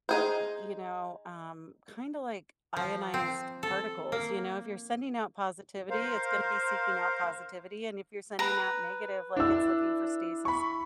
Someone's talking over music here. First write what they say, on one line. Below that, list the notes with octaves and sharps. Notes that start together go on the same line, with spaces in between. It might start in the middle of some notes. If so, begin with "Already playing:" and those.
you know, um, kinda like ionized particles, you know. If you're sending out positivity, it's gonna be seeking out positivity, and if you're sending out negative, like, it's looking for stasis,
D#4 G#4 C5
F3
C4
A4
A#3
A#4 C5 F5
B4 A#5
D4 E4 E6
B5 C#6